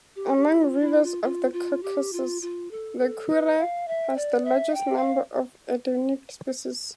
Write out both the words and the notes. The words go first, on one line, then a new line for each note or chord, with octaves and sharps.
Among rivers of the Caucasus, the Kura has the largest number of endemic species.
G4
G4
F4
E4
F4
F4
F4
G4
F4
F4
A4
A4
B4
F5
E5
D5
E5
G5
F5